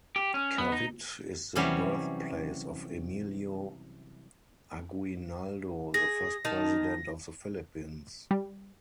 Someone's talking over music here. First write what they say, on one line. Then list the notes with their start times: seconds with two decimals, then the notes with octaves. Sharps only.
Kawit is the birthplace of Emilio Aguinaldo, the first President of the Philippines.
0.16 G4
0.34 C#4
0.58 B3
0.72 D#4
1.55 C3 E3 F#3 G3 C#4
5.94 G#4 A#6
6.45 D#3 D#4 A5
8.31 G3